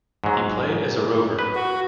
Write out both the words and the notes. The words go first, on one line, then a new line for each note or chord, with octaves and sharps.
He played as a rover.
G#2 F#3
B4
F#4